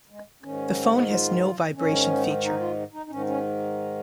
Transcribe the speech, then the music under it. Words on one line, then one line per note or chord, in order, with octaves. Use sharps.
The phone has no vibration feature.
G#3
G#2 D#3 C#4
F4
G#2 D#3 C#4
D#4
F4
D#4
D#4
G#2 D#3 C#4
C#4